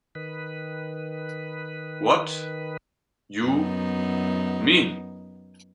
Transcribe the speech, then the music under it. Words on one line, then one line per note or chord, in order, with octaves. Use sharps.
What you mean?
D#3 B4
F#2 B3 D#4